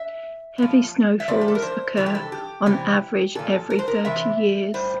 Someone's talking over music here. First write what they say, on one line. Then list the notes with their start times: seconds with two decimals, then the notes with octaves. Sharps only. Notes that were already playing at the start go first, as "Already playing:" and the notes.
Heavy snowfalls occur on average every thirty years.
Already playing: E5
0.58 A2 F3
1.20 E5
1.28 A2 F3 D5
1.41 G4
1.48 A4
1.55 A#4
1.62 C5
1.97 C3 E3 G3 A4
2.06 G4
2.15 A4
2.32 G4
2.66 C3 E3 G3 G4
3.35 A#2 F3 A4
3.70 A#4
3.79 C5
3.88 A#4
4.05 C3 E3 E5
4.74 A2 G3 C5